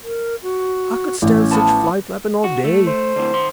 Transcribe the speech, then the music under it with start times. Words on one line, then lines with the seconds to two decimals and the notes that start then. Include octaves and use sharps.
I could stan' such fly-flappin' all day.
0.03 A#4
0.42 F#4
1.22 A1 C#4
1.51 F3 B3 A5
2.44 F#4
2.64 A3
2.87 C5
3.16 A2 D3
3.33 D#3 C6